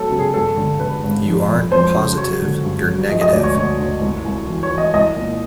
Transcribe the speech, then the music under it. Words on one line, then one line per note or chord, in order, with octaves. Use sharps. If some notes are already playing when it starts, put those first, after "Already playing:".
You aren’t positive, you’re negative.
Already playing: F#3 B3 A4
C#3
G#4
G2 A4
D3
D3 B4
G#1
F2
F2
F2 C5
C#3
F#3 C#5
D3
G2
F#3
F3 D#5
D#5
D2 D5
C#5
D2 C#5
D2
C2
C2
E3
C#5
E3
D#5
C2 D#5
A#2